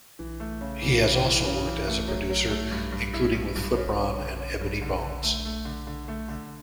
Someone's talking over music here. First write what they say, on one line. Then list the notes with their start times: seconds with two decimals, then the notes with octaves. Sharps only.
He has also worked as a producer, including with Flipron and Ebony Bones.
0.19 E3
0.40 A3
0.61 C#3
0.82 E3
1.03 C#3
1.24 E3
1.45 C#3
1.66 E3
1.88 A3
2.08 F#3
2.30 F#3
2.50 A3
2.71 G2
2.92 G2
3.14 E4
3.34 G2
3.55 G2
3.76 C#4
3.98 C#4
4.19 D3
4.40 C#4
4.61 G2
4.82 D3
5.02 D3
5.23 A3
5.45 A3
5.65 D3
5.87 D3
6.08 A3
6.29 D3